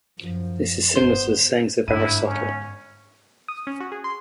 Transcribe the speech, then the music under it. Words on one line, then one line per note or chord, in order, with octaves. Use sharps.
This is similar to the sayings of Aristotle.
F#2 F3
G1 B3 C5
G1 G#2 E4 D#7
C#4
D#6
C#4
F#4
G#4
C6